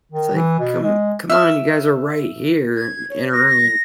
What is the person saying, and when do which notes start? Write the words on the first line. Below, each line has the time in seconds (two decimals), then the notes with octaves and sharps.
It's, like, come come on, you guys are right here in in a room.
0.12 D#3
0.34 E3
0.59 B2
0.83 G#3
1.30 E5 F6
2.75 G#6
3.10 C#5
3.32 A#6